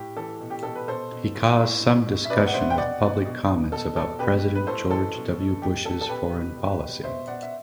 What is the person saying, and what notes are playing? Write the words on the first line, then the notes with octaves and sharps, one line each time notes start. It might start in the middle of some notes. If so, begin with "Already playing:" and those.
He caused some discussion with public comments about President George W. Bush's foreign policy.
Already playing: A2 G4
E3 A4
B2
G4
B2 A4
B4
B2 A4 C5
B2
A2
A2
B2
B2
E5
B2 B4 D5
F#5
B2 C5 E5
G5
B2 D5 F#5
B2
B2
B2
B2 A4
B2 A4
B2 G4 B4
B2
B4
A2 A4 C5
E3 A4
B2
B2
B2 G4
B2 A4
A4
B2 G4 B4
B2
B2
B2
B2 C5 E5
B2 D5 F#5
E5